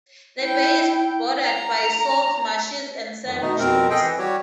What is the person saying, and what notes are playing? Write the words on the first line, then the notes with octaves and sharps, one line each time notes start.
The bay is bordered by salt marshes and sand dunes.
E4 G5
A#5
F2 D#3
B2 A3 D#4
F2 B2 C4 A#4
G#4 A4 D#5 G5
E3
G3 F#4 G4 C#5